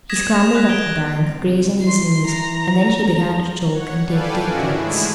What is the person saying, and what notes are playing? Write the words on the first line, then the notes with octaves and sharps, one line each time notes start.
He scrambled up the bank, grazing his knees, and then she began to choke and take deep breaths.
D#6 G#6 A#6 B6 E7
A#6 E7 F7
F#6 A#6 B6
D7 G7
C2
E3 C6 C7
A#5
E2
C#5 F#5
A4 B4 D5 F5 G5 G#5
G#2 D#3 C#4 D4 E4 F#4
E3 G#3 A3 E4 G#4